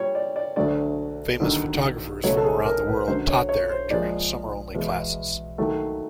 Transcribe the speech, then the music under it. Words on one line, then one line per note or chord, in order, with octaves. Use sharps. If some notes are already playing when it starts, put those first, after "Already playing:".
Famous photographers from around the world taught there during summer-only classes.
Already playing: A#2 G3 C#5
D5
D5
D2 D3 F#3 A3 D5
D#2 D3 F#3
C#2 B2 F#3 A3 C#5
A4
G#4
A#4
B4
F#2 D3 F#3 C5
C#5
C#5
C5
A#2 F3 G#3 D5
E2 B2 G#3
D#2 D#3 F#3 A3